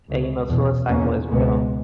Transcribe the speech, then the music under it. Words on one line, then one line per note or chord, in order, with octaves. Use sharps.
and you know suicidal is real.
C#2 C#3
E2 B2
E2 B2 A#3 C#4
C#2 B2 G#3 B3